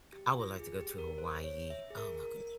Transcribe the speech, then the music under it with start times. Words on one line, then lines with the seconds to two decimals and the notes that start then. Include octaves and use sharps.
I would like to go to Hawaii, oh my goodness
0.13 G4
0.40 F4
0.59 G#4
0.79 G4
0.98 A#4
1.18 C5
1.44 C#5
1.70 E5
1.90 G#4
1.97 A#4
2.23 A#4